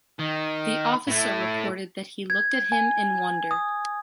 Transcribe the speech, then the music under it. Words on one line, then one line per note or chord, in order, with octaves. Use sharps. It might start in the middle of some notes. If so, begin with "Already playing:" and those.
The officer reported that he looked at him in wonder.
D#3
A2 A3
G#6
G#5
D#6